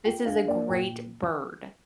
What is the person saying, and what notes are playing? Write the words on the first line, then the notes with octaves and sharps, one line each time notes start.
this is a great bird.
F4 G5
D4 F5
A#3 D5
A#2 G5